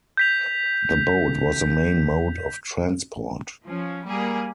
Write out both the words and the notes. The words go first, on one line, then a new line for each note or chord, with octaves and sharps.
The boat was the main mode of transport.
G6 B6 F7
F3 C#4
G3 A#3 G#4